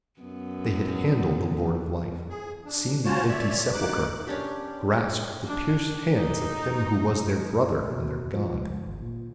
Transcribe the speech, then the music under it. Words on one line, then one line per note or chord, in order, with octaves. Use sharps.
They had handled the Lord of Life, seen the empty sepulchre, grasped the pierced hands of Him Who was their brother and their God.
F#2 B3
G#4
D4
C#4 F4 F#4 C5 C#5 A5
C#5 D5 E5
F#2 D#4 D6 F#6
C#4 D4 G4
D4
D#4
B2
F3
C#2
G#1
A#2